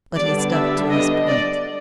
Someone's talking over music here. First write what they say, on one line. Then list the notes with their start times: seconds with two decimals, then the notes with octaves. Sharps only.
But he stuck to his point.
0.14 D3 G3 B3 D4 D5
0.52 E5
0.89 D#5
1.27 D5